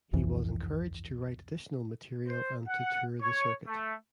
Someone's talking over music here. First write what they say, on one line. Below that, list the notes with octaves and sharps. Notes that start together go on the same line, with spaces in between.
He was encouraged to write additional material and to tour the circuit.
G1 C2 F2 E3
C5
F#5
C#5
A3